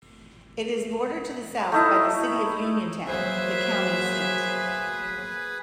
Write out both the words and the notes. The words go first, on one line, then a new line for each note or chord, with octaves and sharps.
It is bordered to the south by the city of Uniontown, the county seat.
A3 D#4 E4
F#3 A#3 G#4 B4 C5 E5